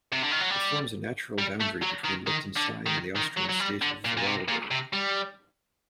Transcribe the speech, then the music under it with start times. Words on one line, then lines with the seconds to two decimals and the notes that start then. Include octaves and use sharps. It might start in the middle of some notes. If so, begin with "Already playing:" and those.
It forms a natural boundary between Liechtenstein and the Austrian state of Vorarlberg.
0.12 C3
0.22 D3
0.31 D#3
0.40 F#3
0.50 G3
1.38 G3
1.61 A3
1.82 F#3
2.05 D#3
2.27 D#3
2.56 D3
2.86 D#3
3.16 D#3
3.37 F#3
3.50 F#3
3.60 G3
3.82 D3
4.05 A#2
4.17 A#2
4.27 C3
4.48 A#2
4.71 C3
4.93 G3